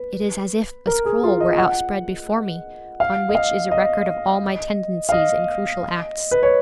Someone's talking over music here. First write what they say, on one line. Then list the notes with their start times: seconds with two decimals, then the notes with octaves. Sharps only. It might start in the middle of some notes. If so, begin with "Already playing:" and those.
It is as if a scroll were outspread before me, on which is a record of all my tendencies and crucial acts.
Already playing: B4
0.87 A#4
1.06 G#4
1.24 F4
1.41 D#5
1.58 F#5
3.00 F5
3.29 D#5
3.35 F5
3.71 D#5
5.09 F5
5.12 D#5
6.31 B4
6.43 C#5